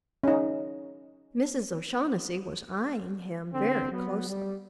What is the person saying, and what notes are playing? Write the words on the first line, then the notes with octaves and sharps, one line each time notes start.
Mrs. O'Shaughnessy was eyeing him very closely.
C#4 D#4
D3 C4
F#3 B3
G3